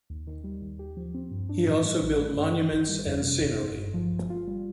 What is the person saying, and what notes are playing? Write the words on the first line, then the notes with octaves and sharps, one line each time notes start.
He also built monuments and scenery.
D#2
D#3
G3
D#2
G4
F3
C4
G2
D4
A2
G3
A#1
A3
G2
D#3
G1
G3
F2
C3
G1
G1
G2
F3
G1
F4
G3